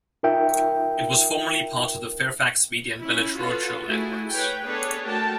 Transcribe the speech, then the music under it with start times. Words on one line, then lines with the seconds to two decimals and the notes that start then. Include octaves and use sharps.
It was formerly part of the Fairfax Media and Village Roadshow networks.
0.23 D#4 F4 A#4 E5 G5
3.02 C#4 E4
3.36 F4 F#4 A4 B4
3.86 A3 E4 F#4 G#4
4.31 B4 C#5 G5
4.64 B3 D4 G#4 A4 B4 C#5
5.06 A3 F#4 A#4 G5 A5